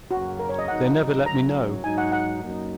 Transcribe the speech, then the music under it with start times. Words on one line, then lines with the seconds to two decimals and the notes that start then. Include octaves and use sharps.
They never let me know.
0.10 F#2 C#3 F#3 A#3 C#4 F#4
0.39 A#4
0.49 C#5
0.59 D#5
0.68 G#1 G#2 F#3 D#4 F#5
1.26 F#1 F#2 F#3 A#5
1.84 G#2 F#3 D#4 G#5
1.98 F#5
2.12 F#5
2.41 F#2 F#3 A#3 D#4